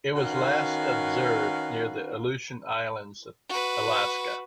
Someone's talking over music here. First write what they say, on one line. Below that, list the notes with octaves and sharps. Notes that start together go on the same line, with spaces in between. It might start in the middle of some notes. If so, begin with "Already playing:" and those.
It was last observed near the Aleutian Islands of Alaska.
D#3 C#4 F#4 B4 F5
F#4 B4